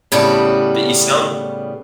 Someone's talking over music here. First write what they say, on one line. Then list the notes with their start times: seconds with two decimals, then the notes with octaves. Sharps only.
But you sound
0.12 A2 C#3 G3 B3 A4